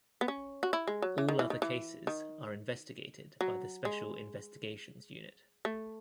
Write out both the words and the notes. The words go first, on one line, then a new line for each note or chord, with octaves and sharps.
All other cases are investigated by the Special Investigations Unit.
B3
C#4
F#4
E4
G#3
F#3
E3
D#3
E3
D#3
E3
D#3
F#3
G#3
A3